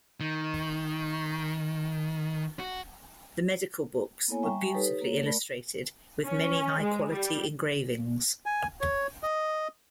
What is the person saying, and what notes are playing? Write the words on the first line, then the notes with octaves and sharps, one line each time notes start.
The medical books were beautifully illustrated with many high quality engravings.
D#3
F#4
A#3 B3 E4 A4 C#5 G#5
G3 E5 G5 G#5 A#5 C#6
D#4 G4 A4 B4 C#5
A#3 C#5
A3 A#4 D5 A5 B5
C#4
G#3
G3
G#5
C#5
D#5